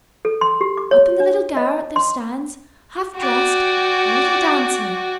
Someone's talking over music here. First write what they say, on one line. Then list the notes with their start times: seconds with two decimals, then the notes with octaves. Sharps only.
Up in the little garret there stands, half-dressed, a little Dancer.
0.25 A4
0.41 C6
0.61 G4
0.77 D6
0.91 C#5
1.20 D4
1.57 D#5
1.96 C6
3.18 F#4 D5 G5